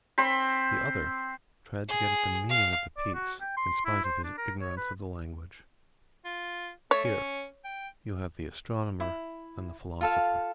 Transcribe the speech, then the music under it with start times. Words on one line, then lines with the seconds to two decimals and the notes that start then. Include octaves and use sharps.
The other tried to get at the meaning of the piece in spite of his ignorance of the language. Here you have the Astronomer and the Philosopher.
0.18 C4 C5 B5
1.88 G#4
2.49 F5
2.97 D5
3.14 F#4
3.41 G5
3.57 C6
3.85 E4
4.04 C5
4.24 D4
4.38 A#4
4.61 C#5
4.77 B4
6.25 F4
6.91 A3 C#5
7.05 C#4
7.64 G5
9.00 E4
10.01 F4 A4 F5